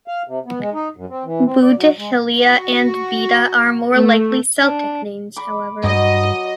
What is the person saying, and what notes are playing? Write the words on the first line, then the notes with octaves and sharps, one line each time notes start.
Boudihillia and Beda are more likely Celtic names however.
F5
C3
B3
G#3
D#4
F#2
C4
E3
C4
D5
F#3
G#3
F#4
A3
D4
B5 D6
G2 F#3 D#5